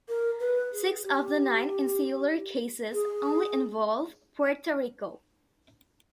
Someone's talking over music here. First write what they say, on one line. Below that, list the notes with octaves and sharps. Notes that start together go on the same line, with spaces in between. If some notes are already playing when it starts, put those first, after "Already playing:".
Six of the nine Insular Cases only involve Puerto Rico.
A#4
B4
G#4
G4
G#4